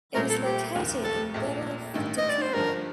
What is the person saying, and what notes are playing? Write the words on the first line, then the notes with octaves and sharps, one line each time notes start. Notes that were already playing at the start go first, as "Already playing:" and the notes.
It is located in Villa of Tacuba.
C2 A#2 A3 A#4
A4
G4
F1 D#2 D#3
A4
A#1 A#2 A3
A1 G2 D#3
D#5
D5
C5
G2 D3 F3 A#4